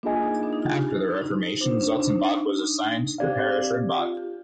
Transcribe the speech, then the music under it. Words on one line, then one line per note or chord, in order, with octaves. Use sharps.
After the reformation, Zotzenbach was assigned to the parish, Rimbach.
A#3 D4 F4 G#4 D#5 G#5
D#4
D4
D#4
F4
G4
G4
D#4
C4 D4 F4 C5
D#4
D4
D#4
D4
D#4
D4
D#4
D4
D#4
D4
C4 G4 D5 F5
F4
G4